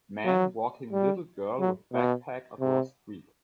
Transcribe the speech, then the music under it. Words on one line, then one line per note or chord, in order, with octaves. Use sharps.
Man walking little girl with backpack across street.
F#3
G3
F#3
B2
C3